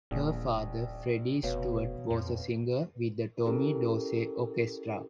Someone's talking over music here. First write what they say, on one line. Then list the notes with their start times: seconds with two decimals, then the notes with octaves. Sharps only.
Her father, Freddie Stewart, was a singer with the Tommy Dorsey Orchestra.
0.11 D#1 A#1
1.43 F1 B2 C#5 F5
2.10 F2
3.45 C#4 E4 G4 A4 A#4